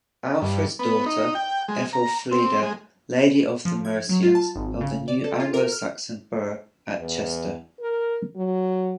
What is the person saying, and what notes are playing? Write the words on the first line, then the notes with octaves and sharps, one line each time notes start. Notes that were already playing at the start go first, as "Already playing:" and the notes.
Alfred's daughter Ethelfleda, "Lady of the Mercians", built the new Anglo-Saxon 'burh' at Chester.
G2
B3
D#4
G5
G#3
A#5
C4
G#3
F3
G#6
F#3
F4
A5
G#1
C#3
D5
A4
F4
A#4
F6
E2
A#4
F#3